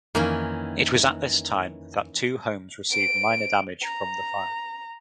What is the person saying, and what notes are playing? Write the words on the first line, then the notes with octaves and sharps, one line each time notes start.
It was at this time that two homes received minor damage from the fire.
F2 D#3 E3 A#3 C#4
D7
A#5